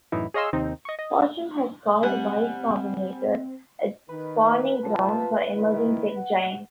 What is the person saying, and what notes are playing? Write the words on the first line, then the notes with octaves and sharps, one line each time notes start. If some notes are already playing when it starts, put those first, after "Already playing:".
"Fortune" has called Y Combinator "a spawning ground for emerging tech giants".
F#2 A2 E3 D#4 E4
G#4 C#5 D#5 F5 C6 E6
D#2 C3 C4 D#4
D#5 C#6
D#5
G3 C4 F#5 G#5
D#3 B4
C3 F4 A5
D#3 E4
F#5